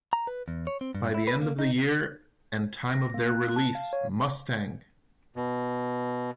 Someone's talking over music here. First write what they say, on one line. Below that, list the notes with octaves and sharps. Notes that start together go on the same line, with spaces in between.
By the end of the year and time of their release, Mustang!
A#5
B4
E2
C#5
C4
G2
E4
B4
A#3
D#4
A#6
A#3
F#6
A5
F5
C#5
B2